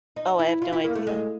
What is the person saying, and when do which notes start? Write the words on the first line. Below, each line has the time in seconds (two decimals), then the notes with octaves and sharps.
Oh, I have no idea.
0.16 D#4
0.39 E4
0.62 F4
0.73 E4
0.84 A#3
0.95 A3
1.07 G#3